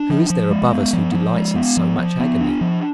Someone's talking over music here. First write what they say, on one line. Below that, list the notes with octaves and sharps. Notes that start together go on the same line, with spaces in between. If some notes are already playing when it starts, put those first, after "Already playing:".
Who is there above us who delights in so much agony?
Already playing: D4
F3
F3
G#3
B3
F3
F3
G#3
B3
F3
F3
B3
D4
F3